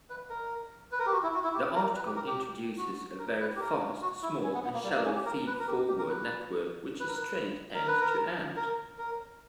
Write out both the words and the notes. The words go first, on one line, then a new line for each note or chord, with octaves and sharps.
The article introduces a very fast, small, and shallow feed-forward network which is trained end-to-end.
B4
A#4
B4
A#4
G4
F#4
E4
F#4
E4
G4
A#4
B4
G4
A#4
G4
F#4
A#4
B4
G4
A#4
F#4
E4
C#4
B3
B3
A#3
G3
A#3
C#4
G4
A#4
B4
A#4
G4
G4
A#4
B4
B4
A#4
B4
A#4
B4
A#4
A#4
A#4